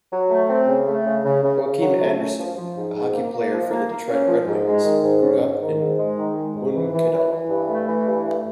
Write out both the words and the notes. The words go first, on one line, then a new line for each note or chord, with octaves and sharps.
Joakim Andersson, a hockey player for the Detroit Redwings, grew up in Munkedal.
F#3
A3
C4
C#3
A3
C#3
C#3
C#3
C#3
F#3
A3
C#4
F3
F3
G#2
G#2
A#3
A#3
F3
A#3
A#3
C#4
F3
G#2
G#3
D#3
G#2
C#4
G#2
D#3
G#2
G#3
D#3
G#3
G#2
E3
E3
E3
E3
G2
A3
E3
G2
A3